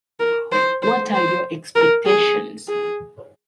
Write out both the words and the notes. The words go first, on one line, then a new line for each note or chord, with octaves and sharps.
What are your expectations?
A#4
C5
C5
C5
A#4
G#4
G#4